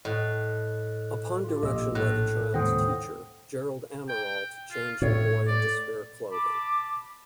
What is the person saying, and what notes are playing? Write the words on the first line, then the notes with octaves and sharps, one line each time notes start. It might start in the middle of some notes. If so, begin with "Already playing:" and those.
Upon direction by the child's teacher, Gerald Amirault changed the boy into spare clothing.
A2 D#5 F#6
F4 G4
A#1 D#5 E6
A2 F#6 A#6
D#2 G#2 C#3 C5 F#5 G5 D#6 A#6
G5
F4
A2 C#5
D5
A5 B5 D6